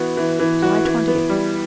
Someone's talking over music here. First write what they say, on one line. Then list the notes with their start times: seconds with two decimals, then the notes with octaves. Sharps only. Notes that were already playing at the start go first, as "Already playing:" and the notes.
July Twentieth.
Already playing: E3 B3 F#4
0.17 E3
0.39 E3
0.62 F#4
0.85 E3
1.08 B3
1.30 G3